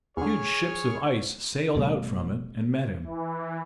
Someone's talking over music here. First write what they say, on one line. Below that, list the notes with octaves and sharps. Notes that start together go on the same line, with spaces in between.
Huge ships of ice sailed out from it and met him.
E2 D3 G#4 C#5 C#6 F6
F1 B2 G3 A3
E3